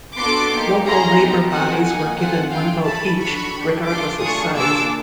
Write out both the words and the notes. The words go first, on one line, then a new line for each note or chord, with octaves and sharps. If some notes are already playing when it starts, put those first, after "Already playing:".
Local labor bodies were given one vote each, regardless of size.
B3 D4 F#4 A4 C6 D6
A#3 D#4 G4
C#4 E4 G#4 A#5 C6
B3 D#4 G4
C4 D#4 F#4 A4 F#5 G#5
A#3 D#4 G#4 F#5 G#5
C4 F4 A4 F#5 G#5
A3 D4 F4 G#4 F5 G5
C#4 E4 G#4 A5 B5
D4 F#4 A4 B5 C#6
D4 G4
D4 F4 G#4 C6 D6
A3 D4 F4 G#4 C#6 D#6
A#3 D4 F4 G#4 D6 E6